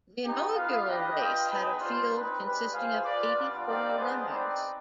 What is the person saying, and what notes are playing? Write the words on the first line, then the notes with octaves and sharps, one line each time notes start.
The inaugural race had a field consisting of eighty-four runners.
B3 D#4 G4
B3 F4 B4 F5
D4 G4 B4 D#5 G5
F4 B4 D#5 G5
B3 D#4 G#4 B4
G3 D4 F4 C5
C4 D#4 B4
G#3 D4 G4 B4
F4 G#4 C5 F5
F4 B4 D5
G3 B3 D4 F4
C4 D#4 G4 D5 F5
G#3 B3 D4 G#4 C5
C4 D#4 B4 D5 G5